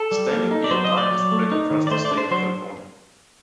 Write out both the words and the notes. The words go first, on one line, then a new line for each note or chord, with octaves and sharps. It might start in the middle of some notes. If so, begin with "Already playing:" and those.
Standing beer die has spread across the state of California.
Already playing: A4
G3
A#3
D#4
D5
F#3 C5
D#5
F#3 C5
D5
F#3
A3
D#4
D#3
D5
A3 C5
D5
D4
C5
F#3 C5